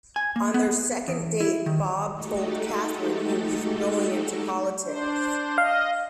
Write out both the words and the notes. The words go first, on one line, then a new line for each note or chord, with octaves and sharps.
On their second date Bob told Catherine he was going into politics.
G#5
A#3
B3
E2
E4
D#3
G#3 A3 D#4 F#4 G4 A4
D4 C5
D#5 F5